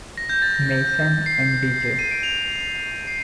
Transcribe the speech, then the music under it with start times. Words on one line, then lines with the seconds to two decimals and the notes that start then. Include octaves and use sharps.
Mason and D. J.
0.18 A#6
0.29 G6
0.42 A6
0.54 A#6
1.26 C7
1.99 D#7
2.11 D7
2.23 F7
3.07 C7